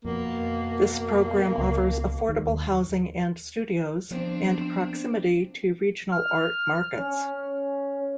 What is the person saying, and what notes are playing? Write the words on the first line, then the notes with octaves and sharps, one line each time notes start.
This program offers affordable housing and studios, and proximity to regional art markets.
F2 B2 A#3
C#2
D#2
F3 B3 C4 D4
F6
C#4